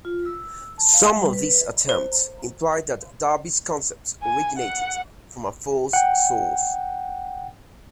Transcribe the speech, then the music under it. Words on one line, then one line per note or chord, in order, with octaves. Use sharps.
Some of these attempts imply that Darby's concepts originated from a "false" source.
F4
E6
A5
F5
G3
B4
C5
G#5
F#5
F#5 G5